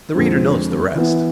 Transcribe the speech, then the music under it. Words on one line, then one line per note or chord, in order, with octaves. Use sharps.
The reader knows the rest.
F2 D3 G#3 C4 F4
E3 B3 E4